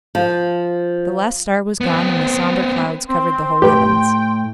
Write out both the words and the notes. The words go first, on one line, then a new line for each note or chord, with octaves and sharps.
The last star was gone and the somber clouds covered the whole heavens.
F3
B3 C4
C4 C6
A2 G4 B4 G5